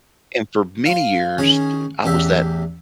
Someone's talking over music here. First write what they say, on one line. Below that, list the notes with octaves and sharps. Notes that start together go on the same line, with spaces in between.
and for many years, d I was that
F5 C6
D#3 C#4 G#4 G#5
A1 E2 G4 E5